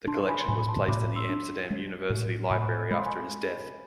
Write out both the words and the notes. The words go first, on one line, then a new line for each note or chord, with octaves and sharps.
The collection was placed in the Amsterdam University Library after his death.
D4 A5 C6
G#5 B5
C6
A2 G#5 B5
B5
A5 C6
A2 B5 D6
C6 E6
D4
G#3
A2
A2 G#5 B5
G#3 B5
C6
G#5 B5